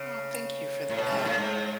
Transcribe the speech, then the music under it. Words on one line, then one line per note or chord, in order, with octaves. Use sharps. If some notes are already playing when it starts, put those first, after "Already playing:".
Oh, thank you for that,
Already playing: C#3
A2
B2
G#2
B2
A2
G#2